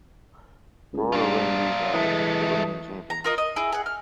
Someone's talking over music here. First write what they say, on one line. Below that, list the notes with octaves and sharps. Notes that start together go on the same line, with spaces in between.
Brora Rangers are the reigning champions.
C#2
G2 D4 F4
E3 G#3 A3
A#5
F4 A#4 D#5
D#5
E4 G#4
G#4 F#5
F6